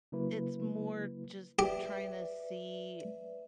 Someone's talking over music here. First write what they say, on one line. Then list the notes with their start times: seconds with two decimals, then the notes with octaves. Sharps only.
it's more just trying to see
0.12 C#3 F#3 A#3 E4 B4
1.59 G4 B4 D5 E5